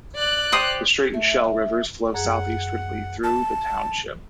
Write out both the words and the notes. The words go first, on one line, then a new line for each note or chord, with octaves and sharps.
The Straight and Shell Rivers flow southeastwardly through the township.
D5 F#6
G4 C5 D#6
A3
F#2 G#4 F#5
A5